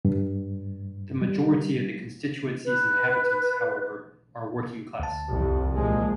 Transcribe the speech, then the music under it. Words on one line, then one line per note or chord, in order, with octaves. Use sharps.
The majority of the constituency's inhabitants, however, are working-class.
G2
G3
B4
D2 A5
C2 F2
A#2 F3 G#3